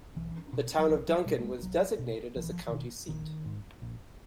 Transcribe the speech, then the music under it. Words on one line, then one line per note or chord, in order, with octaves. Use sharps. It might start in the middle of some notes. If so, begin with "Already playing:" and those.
The town of Duncan was designated as the county seat.
B1 E3
B2
F#3
B1 F3
F#3
B2 G3
A3
G#3
B1 F#3
B2
B1 F3
E3
F3
E3
B2 D#3
A#1 D#3
G#2
A#1